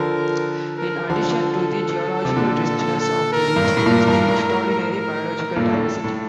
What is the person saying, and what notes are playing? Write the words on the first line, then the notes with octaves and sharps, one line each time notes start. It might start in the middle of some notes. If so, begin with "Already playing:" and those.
In addition to the geological richness of the region is the extraordinary biological diversity.
Already playing: D3 F3 A#4
A#4
D3 F3 A4
C3
A#2 D3
A4
A#4
G2
A2
A2
G2 A#2
G2
A2
A#4
G2 A#2 A4
A2
A2